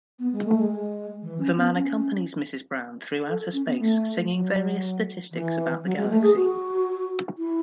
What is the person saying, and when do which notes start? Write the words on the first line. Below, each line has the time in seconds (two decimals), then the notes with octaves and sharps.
The man accompanies Mrs. Brown through outer space singing various statistics about the galaxy.
0.19 B3
0.33 G#3
0.45 A3
0.58 G#3
0.71 G#3
1.23 E3
1.39 C#4
1.56 B3
1.74 C#4
3.28 A4
3.53 C#4
3.66 B3
3.79 A3
4.30 F#3
5.32 E3
5.84 F#3
5.96 G#3
6.09 A3
6.22 G#4
6.36 F#4
7.38 E4